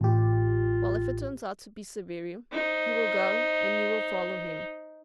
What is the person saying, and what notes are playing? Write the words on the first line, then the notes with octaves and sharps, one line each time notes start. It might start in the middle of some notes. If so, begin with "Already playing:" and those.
Well, if it turns out to be Siberia, he will go and you will follow him.
A1 F4 G4
D#4 C5